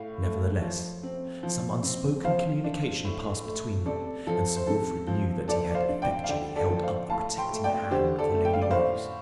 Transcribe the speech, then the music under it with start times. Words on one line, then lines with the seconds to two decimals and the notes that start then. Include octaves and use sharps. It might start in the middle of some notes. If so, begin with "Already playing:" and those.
Nevertheless, some unspoken communication passed between them, and Sir Wilfrid knew that he had effectually held up a protecting hand for Lady Rose.
Already playing: A2 F5
0.22 A3
0.62 F3
1.03 C4
1.43 F3
1.83 C4
2.24 F3 C5 F5
2.64 D4
3.05 A2
3.45 A3
3.86 C3 A4 D5
4.27 F3 A4
4.56 C5
4.67 C3 A4
5.07 F3
5.48 F3 A4 D5
5.75 C5 F5
5.89 D4
6.02 D5 G5
6.24 F5
6.29 D3 D5 G5
6.56 A4 D5
6.70 F3
6.83 C5 F5
7.10 A2 F5 A5
7.38 G5 C6
7.51 A3
7.64 D5 G5
7.91 D3 G4 C5
8.19 A4 D5
8.32 A3
8.45 G5
8.53 F5
8.62 D5
8.71 A2 C5 F5